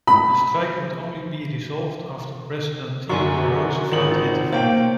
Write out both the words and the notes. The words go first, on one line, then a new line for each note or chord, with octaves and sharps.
The strike would only be resolved after President Theodore Roosevelt intervened.
B5
F#2 D3 G#5 C6 C#6
G#1 F4 F#7
D#4 C5
A#3 C5 C#5 G5